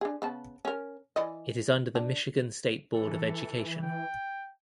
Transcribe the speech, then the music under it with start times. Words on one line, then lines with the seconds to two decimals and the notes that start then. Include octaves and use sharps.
It is under the Michigan State Board of Education.
0.01 D4 G#4
0.22 C#3 B3 A5
0.65 C#4 A#4
1.16 E3 D5 D#5
1.95 D4
2.94 E3 A4
3.82 G5